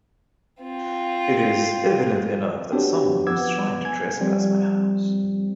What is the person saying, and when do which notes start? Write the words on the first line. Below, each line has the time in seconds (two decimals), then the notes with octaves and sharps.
It is evident enough that someone was trying to trespass my house.
0.61 C4 F4
2.72 B3 C4 D4 F#4 G4 C#5
3.27 F3 B3 D6 E6 G#6
3.85 G#5 G#6
4.21 F3 G3 C4